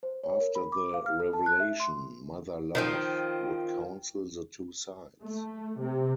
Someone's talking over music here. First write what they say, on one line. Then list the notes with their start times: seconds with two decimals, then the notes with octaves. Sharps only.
After the revelation, Mother Love would counsel the two sides.
0.03 C5
0.24 C#5
0.40 A#4
0.55 B5
0.72 D6
0.94 F5
1.06 F6
1.20 A4
1.33 A5
1.46 F#6
1.60 E5
1.80 C6
2.75 D#3 F3 C4
5.22 A3
5.81 C3